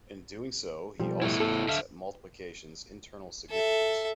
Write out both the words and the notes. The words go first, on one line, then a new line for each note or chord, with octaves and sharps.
In doing so he also hints at multiplication's internal significance.
B1 F3 G3
A3 B3 E4
A4
D3 E5 F5
A4 E5